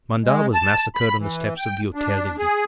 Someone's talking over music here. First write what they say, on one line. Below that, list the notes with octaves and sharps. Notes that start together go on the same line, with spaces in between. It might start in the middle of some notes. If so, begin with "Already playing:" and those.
Mandat was massacred on the steps of the Hotel-de-Ville.
G#3
A5
B5
E3
G5
D4
G#4